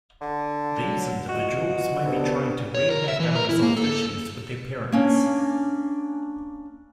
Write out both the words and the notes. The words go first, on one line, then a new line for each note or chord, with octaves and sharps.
These individuals may be trying to reenact unresolved issues with their parents.
D3
F#3
E2 F4 F#4 D#5
C2 B3 D4
C#5
A#4
E5
E3
A#4
E4
A#3
A4
A#3 C#4 D4